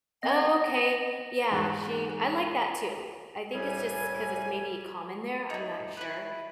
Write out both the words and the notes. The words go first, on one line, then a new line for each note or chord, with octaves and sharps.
Okay, yeah, she I like that too, I think it's just 'cause it's maybe common there, I'm not sure,
C4 D#5 F#5 A#6
E2 G#2 G#4 A#4 F#6 A6
C2 A2 G3 G4 G#5
D#4 E4
E4 B4